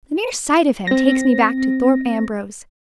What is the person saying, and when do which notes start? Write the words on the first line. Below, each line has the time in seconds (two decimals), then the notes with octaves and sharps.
The mere sight of him takes me back to Thorpe Ambrose.
0.87 C4 A#6